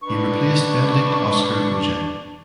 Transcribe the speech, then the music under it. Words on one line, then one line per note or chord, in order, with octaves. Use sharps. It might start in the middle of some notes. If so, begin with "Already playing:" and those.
He replaced Benedikt Oskar Oja.
D4 B4 C#6